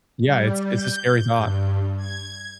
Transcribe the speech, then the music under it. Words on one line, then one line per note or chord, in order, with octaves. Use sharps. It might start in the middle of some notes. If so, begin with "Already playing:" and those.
Yeah, it's it's a scary thought.
G3
G6
G2
G#6